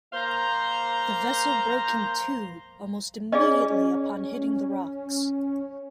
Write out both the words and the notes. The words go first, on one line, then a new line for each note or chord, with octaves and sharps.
The vessel broke in two almost immediately upon hitting the rocks.
A#3 C5 F5 A#5
C#4 G#4 D5 D#5